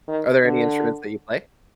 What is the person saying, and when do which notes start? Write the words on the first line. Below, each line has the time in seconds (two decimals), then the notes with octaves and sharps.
Are there any instruments that you play?
0.08 D#3
0.44 D3